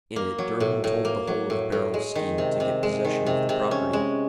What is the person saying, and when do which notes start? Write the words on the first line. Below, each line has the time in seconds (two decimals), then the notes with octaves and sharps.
In it Durham told the whole of Beryl's scheme to get possession of the property.
0.16 A#3
0.38 F#3
0.60 A2
0.84 A2
1.05 A#3
1.27 F#3
1.50 A2
1.72 A2
1.94 G#3
2.15 D#3
2.38 C3
2.60 C3
2.83 G#3
3.05 D#3
3.26 C3
3.49 C3
3.71 C#4
3.93 G#3